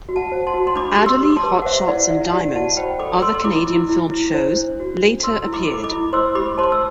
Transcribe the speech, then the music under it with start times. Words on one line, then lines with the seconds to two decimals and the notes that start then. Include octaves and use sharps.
"Adderly", "Hot Shots" and "Diamonds", other Canadian-filmed shows, later appeared.
0.09 F#4
0.16 F#5 A5
0.32 C5
0.47 A5 C6
0.54 F#4
0.67 C6
0.76 D4 B5 D6
0.99 G4
1.06 C6 E6
1.21 G4
1.30 D6
1.36 A5 C6
1.43 B4
1.62 F#5
1.65 C5 E5
1.87 E4 D5 F#5
2.10 E4 E5
2.32 G4 D5 F#5
2.55 F#4 F#5 A5
2.77 C5 G5 B5
2.99 A4 B5 D6
3.22 A4 C6 E6
3.34 C6
3.44 E4 B5 D6
3.67 E4
3.89 E4
4.11 E4
4.34 C5
4.56 D4
4.80 F#4
5.01 D4
5.23 A4 C6 E6
5.46 E4
5.53 B5 D6
5.68 A4
5.84 B5 D6
5.91 E4
6.13 C5 C6 E6
6.35 G4 B5 D6
6.58 C5 A5 C6
6.72 E6